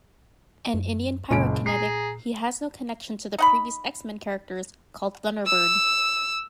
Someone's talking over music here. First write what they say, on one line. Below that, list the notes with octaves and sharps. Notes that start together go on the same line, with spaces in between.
An Indian pyrokinetic, he has no connection to the previous X-Men characters called Thunderbird.
F#2
F#1 C#2 A#2 D7
G#4 A#5 C7
D#4 F#5 B5
E6